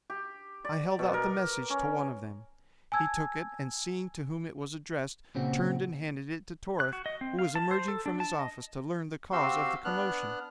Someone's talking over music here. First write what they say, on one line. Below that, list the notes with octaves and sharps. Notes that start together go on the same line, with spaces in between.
I held out the message to one of them. He took it and seeing to whom it was addressed turned and handed it to Torith who was emerging from his office to learn the cause of the commotion.
G4
D5
B2
A#4
C#4
G#5 A5 E6 G#6
A#2 C#3 C4 F#4
F#6
F#4
D#5
C4
F5
A5
C5
A4
D4
A5
D#5
C4 F#4 G4 F5 C6 E6
B3 D4 F6 F#6